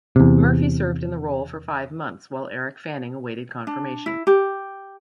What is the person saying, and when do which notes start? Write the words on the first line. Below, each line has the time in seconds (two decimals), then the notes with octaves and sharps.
Murphy served in the role for five months while Eric Fanning awaited confirmation.
0.16 E2 C3
3.67 D4
4.06 E4
4.27 G4